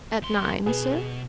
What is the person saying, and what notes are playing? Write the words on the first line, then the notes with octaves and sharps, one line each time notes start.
"At nine, sir?"
E2 C6
B2 G#4 B4